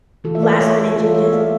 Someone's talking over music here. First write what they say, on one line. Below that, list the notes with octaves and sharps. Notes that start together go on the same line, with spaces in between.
last minute changes,
E3 F4 A4
E5
A#4 D5
F5
A3 C#5 E5
A4 C#5
E3 F4 A4
C#5 E5
A3 D5 F5